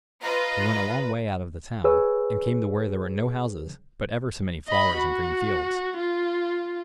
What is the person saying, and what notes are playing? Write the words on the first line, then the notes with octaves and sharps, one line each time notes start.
They went a long way out of the town, and came to where there were no houses, but ever so many flowers and green fields.
F4 B4 D#5 A#5
G#4 B4 C#5 E6
D#5 B5
F#4
F4